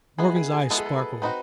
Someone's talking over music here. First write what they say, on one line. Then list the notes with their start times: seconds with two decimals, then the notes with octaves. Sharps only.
Morgan's eyes sparkled.
0.18 G#3 B3 E4 G#4
0.36 G#4
0.53 G#4
0.70 G#3 B3 E4 A4
0.77 G#4
0.86 A4
0.96 B4
1.22 C4 D#4 F#4 B4